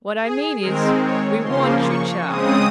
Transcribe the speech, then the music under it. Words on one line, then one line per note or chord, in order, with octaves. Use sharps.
What I mean is, we want your chart.
G#4
D#3 G#3 C4 A#4
C#5
C#3 F3 A#3 C6
C#6
C#3 G#3 C4 D#6